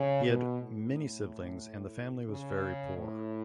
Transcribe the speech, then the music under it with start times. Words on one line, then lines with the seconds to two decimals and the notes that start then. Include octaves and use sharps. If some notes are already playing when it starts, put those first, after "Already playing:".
He had many siblings and the family was very poor.
Already playing: C#3
0.26 B2
0.59 A2
2.30 C#3
2.97 A2